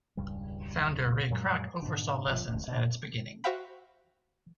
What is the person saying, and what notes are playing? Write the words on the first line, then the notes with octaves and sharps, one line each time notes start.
Founder Ray Kroc oversaw lessons at its beginning.
E1 C#2 G2 G3
F#2 A#2 F#3 G#3
G#2 B2 D3
G1 F3
E1 D2
B2 D3
F#4 C5 E5 F5 G5 B5